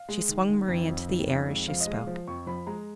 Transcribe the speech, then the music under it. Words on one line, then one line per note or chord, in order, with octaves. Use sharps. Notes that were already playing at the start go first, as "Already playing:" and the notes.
She swung Marie into the air as she spoke.
Already playing: F5
G#3
D#3
D#3
F2
F2
D#3
F2
G#3
F3 F5
D#5
G#3
F5
F3
F2 C#6
F3 B5
G#3 A#5